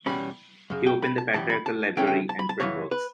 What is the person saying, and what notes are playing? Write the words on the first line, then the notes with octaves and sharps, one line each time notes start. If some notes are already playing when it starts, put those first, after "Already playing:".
He opened the Patriarchal Library and Print Works.
E2 B2 G3 C#4 B5
F#2 C#3
G5
B5
A5
F#2 E3 G3 A5
B5
A5
D2 C#3 E3 A3 C#4 G5
G5
A5
B5
A5
F#2 C#3 E3 C#5
B4